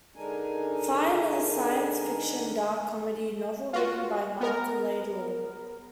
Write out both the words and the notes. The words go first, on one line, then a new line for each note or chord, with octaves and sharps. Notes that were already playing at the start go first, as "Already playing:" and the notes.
Fine, is a science fiction dark comedy novel written by Marc Laidlaw.
D3 G#3 D4 D#4 A#4 G#5
F4 F#4
B3 A#4